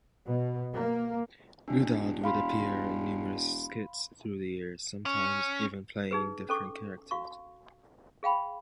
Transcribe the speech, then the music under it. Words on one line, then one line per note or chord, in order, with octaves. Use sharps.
Goddard would appear in numerous skits through the years, sometimes even playing different characters.
B2
A#3
E1 D4
F5 B5 C6
C#4
D#4 G#4 B4
C#4 A4 C#6 D6
F#4 F5 C#6
G#4 F5 G5 B5